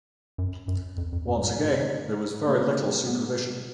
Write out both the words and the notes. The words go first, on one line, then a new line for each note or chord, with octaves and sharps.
Once again there was very little supervision.
F#2
F#2
F2
F2
F#2
G#2
A#3
A#3
B3